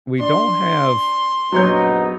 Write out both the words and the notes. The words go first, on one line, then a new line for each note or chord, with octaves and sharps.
we don't have
D4 C6
A#1 F#2 F#3 B3 D#4 C#5 G6